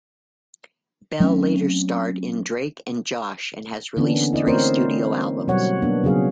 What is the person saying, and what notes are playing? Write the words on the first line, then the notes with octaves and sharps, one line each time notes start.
Bell later starred in "Drake and Josh" and has released three studio albums.
F#3 A3 C4 C#4
D3 E3 A#3 B3 C#4 D4
E4 D5 D#5
A3 C4 C#4 A#4 C5 C#5
B2 F#3 G3 C#5 F#5
A#3 B3 D4
C#3 F#3 G#4 F5